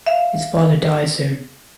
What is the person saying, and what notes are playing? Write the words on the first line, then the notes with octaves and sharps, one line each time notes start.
His father dies soon.
E5 F5